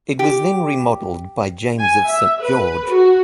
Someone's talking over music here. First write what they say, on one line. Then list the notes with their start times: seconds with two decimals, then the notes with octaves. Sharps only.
It was then remodelled by James of Saint George.
0.19 G4
1.79 G#5
2.07 E5
2.40 B4
2.90 F#4